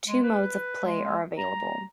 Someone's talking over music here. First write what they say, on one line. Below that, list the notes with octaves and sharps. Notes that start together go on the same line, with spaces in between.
Two modes of play are available.
G#3
B4
G#3
A#5